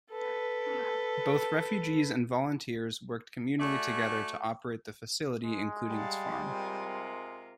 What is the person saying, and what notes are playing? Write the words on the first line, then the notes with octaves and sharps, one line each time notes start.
Both refugees and volunteers worked communally together to operate the facility, including its farm.
A4 B4
A3 F#4 D5 E5 G#5
G#3
G3 F5 F#5 A5
C3 F4 A#4